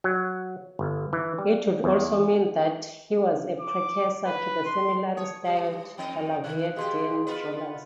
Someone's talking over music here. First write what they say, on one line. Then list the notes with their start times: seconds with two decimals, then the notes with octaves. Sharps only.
It would also mean that he was a precursor to the similarly-styled Gallovidian rulers.
0.04 F#3
0.79 G1
1.13 E3
1.38 G3
1.84 E2
3.60 D6
4.26 B4
4.66 C6
5.17 C#5 A5 D#6
5.45 G3 G4
5.98 F2 D#4 D#5 G5
6.44 D#3 F#6
6.76 B2 G4 G#4 D#5 F5 C6
7.27 B3 F4 B4 D#5